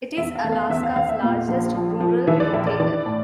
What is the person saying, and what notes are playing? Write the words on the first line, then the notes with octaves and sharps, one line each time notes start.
It is Alaska's largest rural retailer.
E2 E5
F5
E2
F5
E2 E5
F5
E2 F5
E5
A#2 F5
A#1
F3
F3
E3 E5
D5
A#1 E5
D5
E3 D5
A2